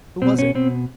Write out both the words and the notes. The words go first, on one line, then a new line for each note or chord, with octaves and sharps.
"Who was it?"
B2 C4
C#4
B2 C4